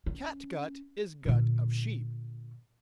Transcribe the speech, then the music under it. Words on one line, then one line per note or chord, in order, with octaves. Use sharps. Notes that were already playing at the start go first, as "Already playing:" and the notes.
Catgut is gut of sheep.
C#4
A#2 D3